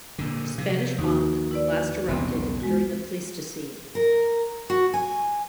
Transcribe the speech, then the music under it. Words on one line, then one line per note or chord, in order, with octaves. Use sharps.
Spanish Bonk last erupted during the Pleistocene.
A#2 D3
C3 F3
D#2 D#4 F#4
E4 B4 D5
B1 E2 C#3 B3 C4
G#3 F#4
A#4
F#4
G#5